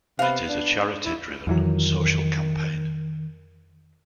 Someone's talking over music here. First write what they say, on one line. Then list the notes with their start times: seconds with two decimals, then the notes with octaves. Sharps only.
It is a charity-driven social campaign.
0.19 C3 B3 F5
0.49 D4
1.05 E4
1.47 F2 D#3 E3 F#3